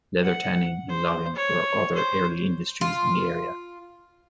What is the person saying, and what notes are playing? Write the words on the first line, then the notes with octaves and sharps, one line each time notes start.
Leather tanning and logging were other early industries in the area.
F#5
C5
C#5
C5
F4